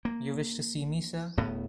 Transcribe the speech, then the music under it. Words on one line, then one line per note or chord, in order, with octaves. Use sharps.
You wished to see me, sir?
A#3
D1 A2 B3